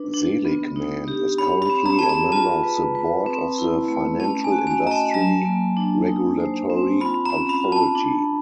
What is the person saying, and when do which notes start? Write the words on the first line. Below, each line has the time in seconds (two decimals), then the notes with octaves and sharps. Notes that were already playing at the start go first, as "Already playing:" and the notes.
Seligman is currently a member of the board of the Financial Industry Regulatory Authority.
Already playing: D4 B4
0.14 D4
0.45 B3
0.76 D#4
1.08 G4
1.38 C#5 B5
1.62 B5
1.70 C4
1.86 A#5
1.99 G#4 A5
2.09 A#5
2.32 F4 A5
2.63 B4
2.95 B4
3.26 C4
3.58 E4
3.88 A3
4.20 C#4 A5
4.44 G#5
4.52 F#4
4.67 G#5
4.82 D#5 A#5
4.91 A5
5.14 F#3 A#5
5.45 A#3
5.77 D4
6.08 D#4
6.40 C5
6.70 C4
7.01 F4 B5
7.25 A#5
7.33 C#4
7.49 B5
7.65 F4
7.72 A5
7.95 D4